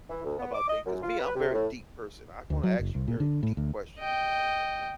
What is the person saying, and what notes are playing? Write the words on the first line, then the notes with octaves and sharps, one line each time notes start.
about things 'cause me, I'm very deep person, I wanna ask you very deep questions,
E3
D2
B3
D6
D#5
F#2
F4
B4
C3
A2
D2
F#3
F#1
C2
A#2
D3
A2
D2
D#5 G5